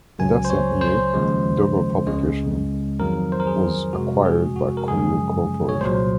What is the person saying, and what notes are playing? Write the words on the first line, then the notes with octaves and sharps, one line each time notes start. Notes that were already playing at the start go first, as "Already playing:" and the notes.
In that same year, Dover Publications was acquired by Courier Corporation.
C#2 C#3 F#3 G#5
C5
C#5
C5
D#2 C#3 F3 G#3
C#2 C#3 G#3
F2 D#3 F#3 A#4
C5
A#4
G#4
F2 C3 F3 G#3 F#4
G#4
F#4
A#4
F#2 C#3 F3 G#3 G#4
C#5
C2 A#2 F#3 C5